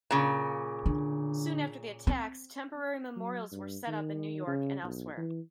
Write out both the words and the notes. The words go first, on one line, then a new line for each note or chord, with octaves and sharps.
Soon after the attacks, temporary memorials were set up in New York and elsewhere.
A#2 C#3
D3
C4
F#3
G2
D#3
C#3
B1
E3